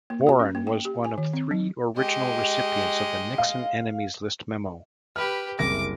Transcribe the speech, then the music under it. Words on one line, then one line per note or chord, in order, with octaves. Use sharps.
Warren was one of three original recipients of the Nixon enemies list memo.
A#3
F#4
C#4
A#3
G5
G4
G#5
D#3
C4
F#3
G#3 G4 D#5
F5
G4 B4 B5 F6
F#1 C2 D6 A#6